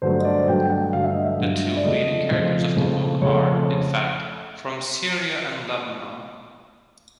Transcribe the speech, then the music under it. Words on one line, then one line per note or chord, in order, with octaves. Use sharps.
The two leading characters of the book are, in fact, from Syria and Lebanon.
G2 D3 F#3 A3 C5
D#5
D5
G2 D3 F#3 A3 G5
F#5
G2 D3 F#3 A3 F5
E5
D#5
E5
G2 D3 F#3 A3
D5
F2 C#3 F3 A3 D#5
F2 C#3 F3 A3
F2 C#3 F3 A3
F2 C#3 F3 A3 C#5